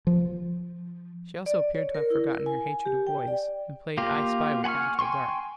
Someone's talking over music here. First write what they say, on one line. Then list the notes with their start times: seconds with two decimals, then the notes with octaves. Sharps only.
She also appeared to have forgotten her hatred of boys, and played "I spy" with them till dark.
0.07 F3
1.46 D5
1.75 C#5
1.95 A#4
2.10 E4
2.33 A#4
2.46 G#5
2.86 G4
3.07 G5
3.28 D5
3.98 A#3 F4 G4
4.64 F#5 G#5 B5 C#6 F6
4.99 G5 G#5 C6 C#6